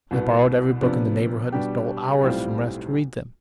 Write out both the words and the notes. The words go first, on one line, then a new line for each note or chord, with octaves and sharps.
I borrowed every book in the neighbourhood and stole hours from rest to read them.
C2 B2 B3
C3 F3 B3 D4
B2 G3 D4 G4
B1 A2 G3 C4 F4